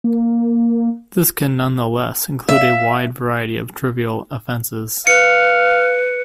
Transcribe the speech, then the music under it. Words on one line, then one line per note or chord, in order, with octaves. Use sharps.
This can nonetheless include a wide variety of trivial offences.
A#3
E5 F5
B4 F5 C#7